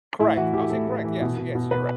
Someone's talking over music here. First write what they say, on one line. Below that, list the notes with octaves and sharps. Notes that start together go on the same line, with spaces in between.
Correct. I would say correct. Yes. Yes. You're right.
A2 E4
E3 F#4
E3 G4
A2 A4
A2
E3
B2
B2
B2
B2 B4